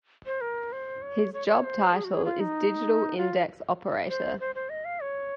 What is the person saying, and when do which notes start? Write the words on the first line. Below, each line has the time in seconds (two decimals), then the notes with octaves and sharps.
His job title is digital index operator.
0.26 C5
0.41 A#4
0.72 C5
1.02 C#5
1.34 C#5
1.48 C#5
1.64 C5
1.94 G#4
2.04 F#4
2.15 G#4
2.25 F4
2.40 D#4
3.17 F4
4.09 C5
4.40 C5
4.55 C5
4.69 D#5
4.85 F5
5.00 C#5